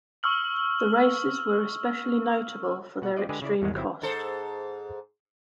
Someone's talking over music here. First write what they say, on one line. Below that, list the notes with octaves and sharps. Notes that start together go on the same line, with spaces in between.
The races were especially notable for their extreme cost.
C#6 E6 F6 F#7
B2 F#5
C4 F4 D5 D#5
D3 G#3 G4 G#4 B4
C#3 E4 D5
E2 G#2 D#3 G#3
G1 F#3 C4 E4
G#2 A4 C5